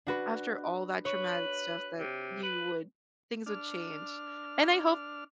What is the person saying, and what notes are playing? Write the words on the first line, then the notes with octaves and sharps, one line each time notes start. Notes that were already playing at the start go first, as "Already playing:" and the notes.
after all that traumatic stuff that you would things would change and I hope
D4 F#4 B4
B4 C#5
C3
B4
D4 F6